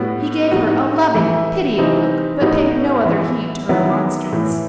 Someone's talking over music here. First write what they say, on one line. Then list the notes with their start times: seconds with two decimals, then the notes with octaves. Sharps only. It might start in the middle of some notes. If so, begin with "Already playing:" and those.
He gave her a loving, pitying look, but paid no other heed to her remonstrance.
Already playing: A2 G3 B3 F#4
0.51 A2 G3 D#4 F#4
1.14 E3 A3 E4
1.78 C3 E3 G3 C4 D#4
2.41 A2 G3 B3 D#4 F#4
3.05 E3 B3 E4
3.69 D#3 F#3 B3 E4
4.33 A2 E3 A3